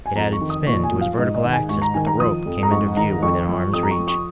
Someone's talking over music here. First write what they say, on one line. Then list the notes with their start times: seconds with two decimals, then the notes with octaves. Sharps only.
It added spin to his vertical axis, but the rope came into view within arm's reach.
0.06 G#5
0.15 F2 A#5
0.33 C#6
0.41 D#3
0.50 D#6
0.67 A#2 C#6
0.84 G#5
0.93 F3
1.01 F5
1.17 G#2 D#5
1.35 D#5
1.44 D#3
1.52 G#5
1.69 G#2 C#6
1.82 A#5
1.94 D#3 G#5
2.07 A#5
2.20 F3 D#6
2.46 F2
2.63 A#5
2.71 G#2 C#6
2.97 D#3 A#5
3.23 F2 C#6
3.48 F3
3.73 F2 D#6
3.83 A#5
3.91 C#6
3.99 F3
4.08 C#6